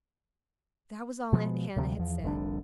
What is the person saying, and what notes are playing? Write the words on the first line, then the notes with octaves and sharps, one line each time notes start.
That was all Aunt Hannah had said.
B2 F3 G#3 B3
D2 C3 F3 G3
E2 F3
F1 C2 D3 D4